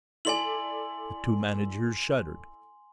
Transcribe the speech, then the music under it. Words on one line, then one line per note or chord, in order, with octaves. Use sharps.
The two managers shuddered.
E4 A4 D5 G#5 C6 F#7